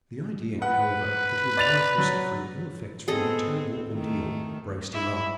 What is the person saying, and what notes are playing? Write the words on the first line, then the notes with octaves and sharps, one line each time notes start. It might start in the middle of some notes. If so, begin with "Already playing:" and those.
The idea, however, that his wife was suffering ill-effects from her terrible ordeal, braced him up.
B4 F#5
D5 A6 F7
F#3
B3 C4 G#4 A4 D#5
D#3 A3
E4